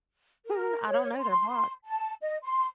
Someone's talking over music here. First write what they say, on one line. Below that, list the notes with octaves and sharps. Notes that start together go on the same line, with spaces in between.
Hmm, I don't know, they're blocked.
A#4
C#5
C6
A5
D#5
C6